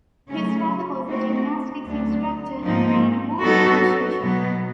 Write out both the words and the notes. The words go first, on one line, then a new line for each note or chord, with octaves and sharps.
His father was a gymnastics instructor and ran a boot and shoe shop.
C#3 F#3 A3 C#4
A3 C4 D#4 F#4
D2 D3 F#3 A3 D4
G#2 F3 A#3 D#4
F#3 B3 D#4 F#4 A4
B2 F#3 B3